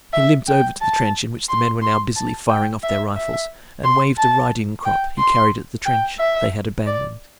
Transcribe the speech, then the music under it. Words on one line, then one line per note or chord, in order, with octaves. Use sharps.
He limped over to the trench in which the men were now busily firing off their rifles and waved a riding-crop he carried at the trench they had abandoned.
E5
G5
A5
C6
C6
A5
G5
E5
E5
C6
A5
G5
C6
G5
E5
D5